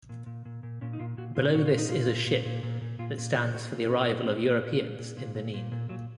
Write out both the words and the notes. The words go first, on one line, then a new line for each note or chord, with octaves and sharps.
Below this is a ship, that stands for the arrival of Europeans in Benin.
A#2
A#2
A#2
A#2
A#2 C#4
D#4
A#2 F4
A#2 F#4
A#2 F4
A#2 F#4
F4
A#2
D#4
A#2 F4
A#2
A#2
A#2
A#2
A#2
A#2 F4
A#2
A#2 F4
A#2 F#4
A#2 F4
A#2 C#4
A#2 A#3
A#3
A#2 C4
A#2 A#3
A#2
A#2
A#2
A#2
A#2
A#2
A#2
A#2 F#3